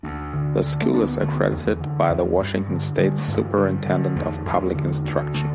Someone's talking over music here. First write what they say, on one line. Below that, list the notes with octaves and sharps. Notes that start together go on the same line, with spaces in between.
The school is accredited by the Washington State Superintendent of Public Instruction.
D2 D4
D3
D3
A3
D2 D4
B3
D3 A3
B3
E2 A3
E3
D3
E2
G2
D3
D3 G3
A3
G2
E3
D3 G3
D3
E2 A3
E2
D3
D2
D3 A3